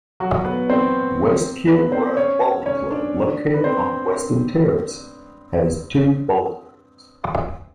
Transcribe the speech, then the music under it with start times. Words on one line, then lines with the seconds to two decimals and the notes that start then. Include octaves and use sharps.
West Kilbride Bowling Club, located on Weston Terrace, has two bowling greens.
0.20 F#3 F#4
0.45 B3 B4
0.69 C4 C5
1.67 B3 B4
1.92 C4 C5
2.17 C#4 C#5
2.66 C#4 C#5
2.90 D4 D5
3.54 B4
3.64 C4 C5